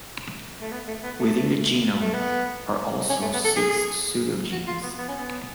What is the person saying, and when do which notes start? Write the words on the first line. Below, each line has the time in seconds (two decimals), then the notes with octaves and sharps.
Within the genome are also six pseudogenes.
0.62 A3
0.72 B3
0.88 A3
1.04 B3
1.19 A3
2.01 A3
2.14 B3
3.10 C#4
3.22 A3
3.34 B3
3.45 A4
3.56 G#4
4.52 F#4
4.67 F4
4.83 B3
4.98 B3
5.09 C#4
5.19 B3